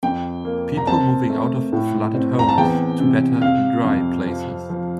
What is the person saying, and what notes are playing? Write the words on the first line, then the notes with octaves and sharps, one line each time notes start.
People moving out of flooded homes to better dry places.
F2 G5
A#3
A#5
C4 A5
A3
A2
C4
A#5
A5
E2 G5
C3
C3 F5
F2
F3
F3